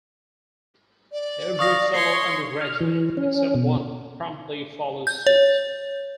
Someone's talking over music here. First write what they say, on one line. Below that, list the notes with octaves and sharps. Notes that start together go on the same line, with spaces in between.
Every fellow undergraduate, except one, promptly follows suit.
D5
F5 C#6 D#6 A#6
C#5 C6 C7
F6
E3
C#4
B2
G6
C#5